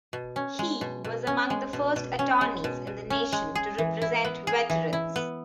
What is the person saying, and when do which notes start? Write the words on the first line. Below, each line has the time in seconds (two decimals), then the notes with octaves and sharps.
He was among the first attorneys in the nation to represent veterans.
0.13 B2
0.36 C#4
0.59 G#3
0.81 B2
1.04 B2
1.27 C#4
1.50 G#3
1.73 B2
1.96 B2
2.19 C#4
2.41 G#3
2.64 B2
2.87 B2
3.10 C#4
3.33 G#3
3.55 G#4
3.78 E3
4.02 E4
4.25 B3
4.47 G#4
4.70 E3
4.93 E4
5.16 B3